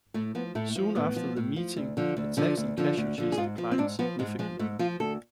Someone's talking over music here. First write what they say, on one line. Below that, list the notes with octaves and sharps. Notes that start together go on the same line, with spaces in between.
Soon after the meeting, attacks and casualties declined significantly.
A2 A3
F3 B3
A2 A3
F3
A2 B3
F3
A2
F3
D2
D3 F3
D2
D3 F3
D2
D3 F3
D2
D3 F3
G#4
G#2 F4
F3
C4
G#2 D4
F3 B3
G#2 G#3
F3 G#3
G#2 A3
F3 F4
D2 A4